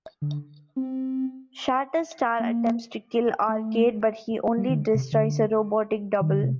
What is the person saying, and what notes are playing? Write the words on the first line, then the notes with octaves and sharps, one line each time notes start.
Shatterstar attempts to kill Arcade, but he only destroys a robotic double.
D3
C4
A#3
A3
G3
D#3
D3
C3
D3
D#3
D3
C3